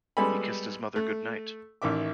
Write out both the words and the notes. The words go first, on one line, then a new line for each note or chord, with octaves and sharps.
He kissed his mother good-night.
G3 G#3 B3 A4 G#5 B5
A3
A1 D#3 E5 D6